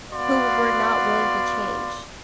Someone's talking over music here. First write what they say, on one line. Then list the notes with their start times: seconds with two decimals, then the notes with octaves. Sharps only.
who were not willing to change,
0.12 B3 F#4 D5 F5 C6